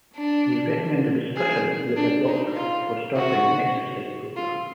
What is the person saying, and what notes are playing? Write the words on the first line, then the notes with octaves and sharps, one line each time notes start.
They recommend a discussion with a doctor before starting an exercise program.
D4
G#4
D4
D#4
F4
F#4
F4